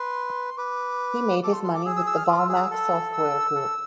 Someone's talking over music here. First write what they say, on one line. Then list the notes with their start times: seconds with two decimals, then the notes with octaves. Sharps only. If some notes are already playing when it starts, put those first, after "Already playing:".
He made his money with the Volmac Software Group.
Already playing: B4 C6
0.58 B4 D6
1.43 A4 D6
1.53 C6
1.64 C6
1.74 D6
1.85 G#4 E6
1.96 E6
2.06 E6
2.17 F6
2.25 E6
2.28 F4 D6
2.39 E6
2.49 G#4
2.71 A4
3.12 E6
3.56 A4